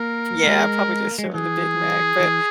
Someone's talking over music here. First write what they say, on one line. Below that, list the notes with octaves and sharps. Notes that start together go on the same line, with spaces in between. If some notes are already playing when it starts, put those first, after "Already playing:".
Yeah, probably just showing the Big Mac, but
Already playing: A#3 A#4
A#3
G#3
A#3
G#3
F#3
E3 G#4
E3